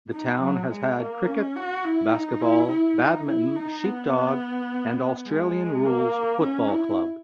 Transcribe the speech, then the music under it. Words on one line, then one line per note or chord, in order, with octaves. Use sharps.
The town has had cricket, basketball, badminton, sheep dog and Australian rules football clubs.
D#4
F#3
G#3
A#3
C#4
F#4
E4
D#4
E4
E4
D#4
E4
D#4
B3
G#3
A#3
C#4
E4